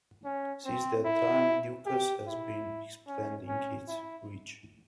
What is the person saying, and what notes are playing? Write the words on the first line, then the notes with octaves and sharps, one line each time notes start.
Since that time, Ducasse has been expanding his reach.
C#4
C4
E4
G4
E4
C#4
C#4
E4